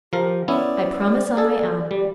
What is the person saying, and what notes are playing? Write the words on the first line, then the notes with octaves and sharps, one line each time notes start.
"I promise on my honor."
F3 G4 A#4
B3 C#4 E4 D5
G#4 A4
G3